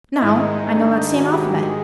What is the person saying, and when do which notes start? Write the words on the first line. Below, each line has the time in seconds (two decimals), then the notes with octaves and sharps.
Now, I know that same alphabet.
0.16 D#4
0.21 G#2 D#3 G#3 E4
0.40 D#4
0.58 D#4
0.77 D4
0.96 D#4
1.13 F#4
1.26 F#4
1.32 G4
1.49 G#4
1.68 G#4